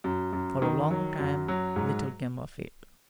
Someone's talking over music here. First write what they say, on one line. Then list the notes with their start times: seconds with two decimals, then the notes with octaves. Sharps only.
For a long time little came of it.
0.04 F#2
0.33 F#2
0.62 D#3
0.91 F#3
1.19 F#2
1.48 F#3
1.76 G#2